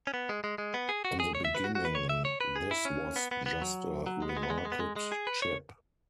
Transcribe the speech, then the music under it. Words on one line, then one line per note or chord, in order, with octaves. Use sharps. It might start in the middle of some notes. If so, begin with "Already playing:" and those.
In the beginning, this was just a remarked chip.
C#4
B3
G#3
G#3
G#3
B3
G#4
F#4
G#4
C#5
E5
B4
F#4
F#4
B4
C#5
E5
C#5
B4
G#4
E4
C#4
B3
B3
B3
F#3
F#3
G#3
B3
G#3
B3
G#3
B3
G#3
B3
G#3
G#3
G#4
B4
C#5